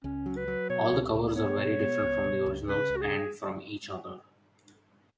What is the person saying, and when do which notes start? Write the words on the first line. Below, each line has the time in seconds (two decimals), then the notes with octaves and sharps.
All the covers are very different from the originals - and from each other.
0.04 C#2 C#4
0.26 F#3
0.37 B4
0.48 F#3
0.70 B2 C#5
0.92 C#2
1.14 C#2
1.36 B3 C#5
1.58 B2
1.80 B3
2.02 C#2
2.24 B2
2.46 C#2
2.68 C#3 B4
2.90 C#2
2.96 F#4
3.01 G#4